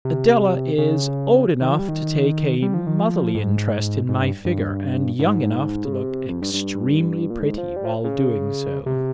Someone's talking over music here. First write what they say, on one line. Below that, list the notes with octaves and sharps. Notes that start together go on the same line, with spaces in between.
Adela is old enough to take a motherly interest in my figure, and young enough to look extremely pretty while doing so.
C3
C#3
D#3
F3
G3
D#3
G3
F3
D#3
F3
G#2
G#2
G2
G2
G#2
C#3
C3
F2
G2
G2
A#2
G#2
F3
G3
F3
C#3
C3